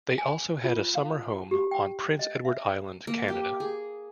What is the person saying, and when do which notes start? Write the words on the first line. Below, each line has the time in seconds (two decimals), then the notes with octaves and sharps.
They also had a summer home on Prince Edward Island, Canada.
0.18 G#5
0.64 F4
0.95 F5
1.51 G4
1.71 G5
2.19 D#5
2.45 E5
3.07 A#3
3.28 G4
3.60 G#4